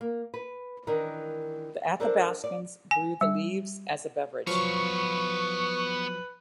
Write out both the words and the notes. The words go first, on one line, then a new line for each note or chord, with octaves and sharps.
The Athabaskans brew the leaves as a beverage.
A#3
B4
D#3 E3 D4 A#4
D4 A4 A#4 C5 D5
D5
G#5
G3
F3 F#3 B3 B4 F5 C#6